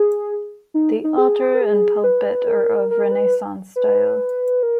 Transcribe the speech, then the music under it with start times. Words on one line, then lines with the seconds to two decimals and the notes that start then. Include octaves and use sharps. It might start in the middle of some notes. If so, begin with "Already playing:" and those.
The altar and pulpit are of Renaissance style.
Already playing: G#4
0.74 D#4
1.04 D#4
1.18 G#4
1.55 A#4
1.61 G#4
2.04 B4
2.48 A#4
2.91 A#4
3.12 B4
3.76 B4
4.63 A#4